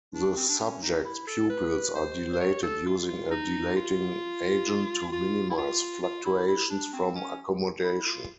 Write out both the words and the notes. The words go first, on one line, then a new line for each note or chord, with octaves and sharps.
The subject's pupils are dilated using a dilating agent to minimize fluctuations from accommodation.
D4
C4
D4
C#4
D#4
E4
A4
B4
C5
C5
C#5
A4
F4
F4
D#4
F4
F4
E4
F4
F4
E4
E4
D4
C4
C#4
E4
F4